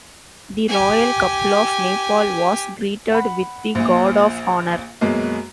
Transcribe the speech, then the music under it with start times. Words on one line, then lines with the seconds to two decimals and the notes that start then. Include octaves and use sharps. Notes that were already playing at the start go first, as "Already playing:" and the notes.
The royal couple of Nepal was greeted with the 'guard of honor'.
0.69 G4 G#5
3.12 F#5 B5
3.75 A#1 A#2
5.01 F#2 B2 F#3 G#3 A#3